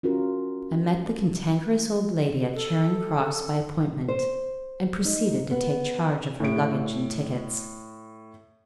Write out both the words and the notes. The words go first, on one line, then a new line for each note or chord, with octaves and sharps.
I met the Cantankerous Old Lady at Charing Cross, by appointment, and proceeded to take charge of her luggage and tickets.
C#4 F4 F#4 A#4
A4
C5
D#4
B3
A2 D7